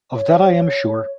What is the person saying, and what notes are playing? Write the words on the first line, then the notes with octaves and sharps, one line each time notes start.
Of that I am sure.
C#5